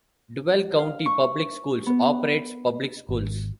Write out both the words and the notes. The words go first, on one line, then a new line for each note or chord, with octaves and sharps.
Duval County Public Schools operates public schools.
F5
C#6
B3
G#1